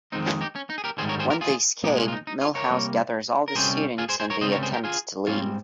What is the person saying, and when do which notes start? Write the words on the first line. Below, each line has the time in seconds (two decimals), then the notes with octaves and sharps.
When they escape, Milhouse gathers all the students and they attempt to leave.
0.12 F2 D#3 G#3 C4 D#4
0.26 C#4 F4
0.41 D#4 G4
0.56 C#4
0.70 D#4
0.78 G#4
0.84 G4 A#4
0.98 G#2 D#3 G3 G#4 C5
1.09 A#4 C#5
1.19 G#4 C5
1.30 G4 A#4
1.41 F4 G#4
1.84 C2 A#2 G#3 D#4 G4
1.98 C#4 F4
2.08 F4
2.13 D#4
2.27 D#4
2.41 C#4 F4
2.55 A#4 C#5
2.70 C3 G3 A#3
3.48 A#4
3.55 C2 C3 G3 C#4 G#4 C5
3.98 F4 G#4
4.09 G#4 C5
4.20 G#4 C5
4.30 A#4 C#5
4.41 C#2 C#3 G3 C4 C5 D#5
4.52 A#4 C#5
4.63 G#4 C5
4.73 G4 A#4
4.84 F4 G#4
5.27 G#2 G3 C4 C#4 F4